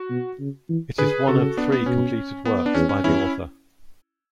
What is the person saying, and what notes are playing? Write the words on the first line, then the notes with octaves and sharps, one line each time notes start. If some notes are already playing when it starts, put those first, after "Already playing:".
It is one of three completed works by the author.
Already playing: F#4
B2
C#3
E3
D3 G#4 B4
C#3 F#4 A4
B3 D4
B3
B2 C#4
B3
D4
E2 C#4
C#4
E2 C#4 E4